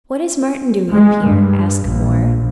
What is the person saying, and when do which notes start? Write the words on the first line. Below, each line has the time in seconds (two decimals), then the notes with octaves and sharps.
"What is Martin doing up here?" asked Moore.
0.92 G#3
1.27 G2
1.86 A#1